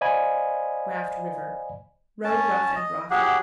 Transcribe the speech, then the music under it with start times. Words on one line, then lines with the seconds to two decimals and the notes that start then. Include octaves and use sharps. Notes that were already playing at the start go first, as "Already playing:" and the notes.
Raft River.--Road rough and rocky.
0.01 C5 D5 D#5 F5 G#5 B5
2.24 C#4 A5
2.75 D#5
3.10 F#3 G4 G#4 F#5